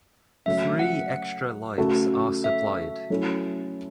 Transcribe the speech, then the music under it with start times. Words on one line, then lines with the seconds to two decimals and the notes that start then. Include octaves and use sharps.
Three extra lives are supplied.
0.46 C#3 F#3 A3 C#4 E5
0.79 F#5
1.78 C#3 A3 F#4 A4
2.44 E5
3.10 F#3 A3 C#4 E4 A4